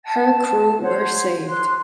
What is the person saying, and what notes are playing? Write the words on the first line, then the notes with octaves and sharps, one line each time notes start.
Her crew were saved.
A5
C5 C#5 F#5
C6 F#6